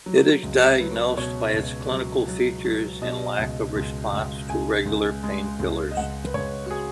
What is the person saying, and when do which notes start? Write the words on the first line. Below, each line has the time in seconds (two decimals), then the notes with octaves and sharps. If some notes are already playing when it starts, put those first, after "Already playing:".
It is diagnosed by its clinical features and lack of response to regular painkillers.
0.06 F#3
0.43 C#2
0.80 F#3 B4
1.17 B2 C#5
1.54 C#2
1.91 F#3
2.28 F#3
2.65 F#3
3.02 B2 D#5
3.38 C#2
3.76 C#2
4.13 C#2
4.49 C#2 G#5
4.86 C#2
5.23 G#3
5.59 C#2
5.91 D#5
5.97 C#2 F#5
6.27 B4
6.34 C#2 C#5
6.66 F#4
6.71 G#4